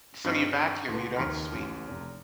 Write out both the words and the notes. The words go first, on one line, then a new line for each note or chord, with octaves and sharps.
So you vacuum, you don't sweep.
G2 C4 D#4
C#2 F#4 B4 C6
D#2 D#3 F6
A1
F1 A#5